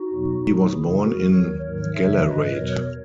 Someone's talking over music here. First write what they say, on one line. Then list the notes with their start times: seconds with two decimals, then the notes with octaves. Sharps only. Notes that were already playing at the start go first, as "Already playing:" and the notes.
He was born in Gallarate.
Already playing: D#4 F#4
0.11 E2 B2 F#3
0.42 A#2 F#3
0.72 F#2 C#3 E3 E4 G#4
1.03 F#2 E3 F#4 A#4
1.32 D#2 D#3 F#3 A#4 C#5
1.63 G#2 D#3 F#3 A#4 C#5
1.93 F#2 C#3 E3 C#5 E5
2.23 G#2 E3 B4 D#5
2.54 E2 B2 F#3 A#4 C#5